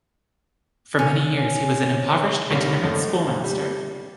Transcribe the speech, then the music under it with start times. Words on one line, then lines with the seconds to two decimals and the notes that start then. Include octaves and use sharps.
For many years he was an impoverished, itinerant schoolmaster.
0.99 C#4
2.51 C2 D#3 A#3 D4 C#5
2.83 F#2 A3 D#4
3.44 G3